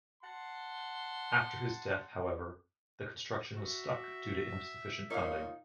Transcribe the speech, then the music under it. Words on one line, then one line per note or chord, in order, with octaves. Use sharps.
After his death, however, the construction was stuck due to insufficient funding.
F#5 A5 C6
F#4 E5
A#2 D#4 C#5 F5